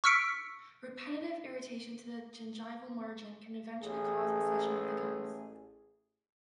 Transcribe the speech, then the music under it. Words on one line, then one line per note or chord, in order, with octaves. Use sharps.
Repetitive irritation to the gingival margin can eventually cause recession of the gums.
C#6 E6 F6 B6 C#7 D7
A1 G#4